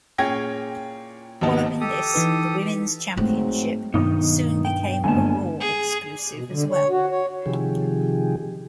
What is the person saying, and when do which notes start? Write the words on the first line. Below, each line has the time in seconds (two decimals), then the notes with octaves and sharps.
Following this, the Women's Championship soon became a "Raw" exclusive as well.
0.18 A#2 C#4 G#4 G5 G#6 A#6
1.41 G#1 D#2 C3 B3 D#4 A5
1.81 G4 A4 D#6
2.14 E3 D#4 B4
3.17 G#2 F#3 G#3 A3 C4
3.94 B1 G2 D#3 D#4 D#6
4.65 G5
5.04 G1 D#2 D3 G#3 G#5 A5
5.60 G#4
6.34 B2
6.50 D3
6.70 C#5
6.90 F#4
7.10 C#5
7.46 C3 D#3 F3 G4 G#4